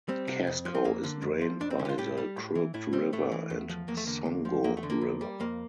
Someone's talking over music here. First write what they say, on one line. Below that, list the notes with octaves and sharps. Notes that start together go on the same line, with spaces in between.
Casco is drained by the Crooked River and Songo River.
G3 C4
C3
F2
F3
C4
F2 A#3
D3
F2
F3
F2 D4
C4
D3 E4
G4
F4
A2 G4
G3
A2
E3
A2 E4
G3 C4
A2 A3
E3
E2
F3
E2 A#3
A3
D3 A#3
E2
F3
E2 A#3
A3
D3
A#3
F2
G3
F2 A#3